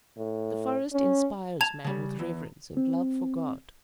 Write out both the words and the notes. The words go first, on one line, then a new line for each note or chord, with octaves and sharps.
The forest inspires man with reverence and love for God.
A2
C#4
A5 G#6 F7
C#3 G3
E2
C4